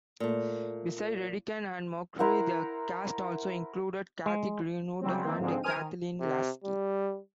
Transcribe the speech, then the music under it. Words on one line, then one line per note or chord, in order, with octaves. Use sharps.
Besides Redican and Mochrie, the cast also included Kathy Greenwood and Kathleen Laskey.
A#2 A3
E4 A#4 C5 F#5
G#3
C#3 F#3 G3 C4
D#3 E3 A#3 C4
G#2 D3 F3 G#3 C4
A#4 C5 G#5 D#6 F6 D#7
D#3
C3
G3